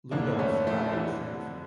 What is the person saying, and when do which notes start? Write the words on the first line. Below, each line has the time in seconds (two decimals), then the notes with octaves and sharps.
Ludolf died at Frankfurt.
0.11 F2 D3 A#3 D4
0.39 A3 C#4
0.67 F3 A3
0.93 E3 G3